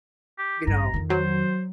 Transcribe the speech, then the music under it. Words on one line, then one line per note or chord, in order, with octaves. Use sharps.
you know.
G4
A1 G2 A#5
F2 D#3
F#3 C5